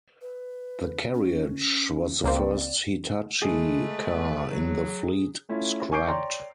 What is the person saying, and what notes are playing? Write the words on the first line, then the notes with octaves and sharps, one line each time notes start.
The carriage was the first Hitachi car in the fleet scrapped.
B4
C#4
C#2 A#3 C4 D5
G#3 A3 G#4 B4
F#3
A3 C#4 E4 F4
G#5 C#6 D6 G6 C7 D7
C#5 D5 G5 A#5 C6